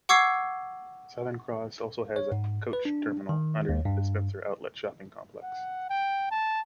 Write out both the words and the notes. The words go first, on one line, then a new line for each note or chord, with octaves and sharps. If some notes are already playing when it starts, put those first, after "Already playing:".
Southern Cross also has a coach terminal underneath the Spencer Outlet shopping complex.
F#5 C#6 D6 E6 G#6 C7
C#5
G#2
B4
D4
D#3
D#2
G2
F#5
G5
A5